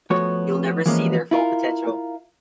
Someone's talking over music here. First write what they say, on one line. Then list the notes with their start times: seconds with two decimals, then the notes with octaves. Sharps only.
You'll never see their full potential.
0.10 F3 A3 B3 F#4 C#5
0.86 E3 F3 G#3 A#3 B3 C#4
1.31 E4 F4 A#4